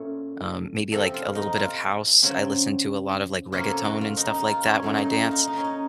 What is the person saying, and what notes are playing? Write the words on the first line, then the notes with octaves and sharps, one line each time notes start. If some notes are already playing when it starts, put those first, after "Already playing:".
um, maybe, like, a little bit of house. I listen to a lot of, like, reggaeton and stuff like that when I dance.
Already playing: A#2 A3 C#4 A4
C3 F3 C4 A4
F4
D#4
F4
C#3 F#3 C4
C3 F#3 A#3 C#4 F4
A4
F#4
F4
D#4
D#4
F4
C#4
A#2 F#3 A3
D#4
F4
D#4
D#4
C#4
D#4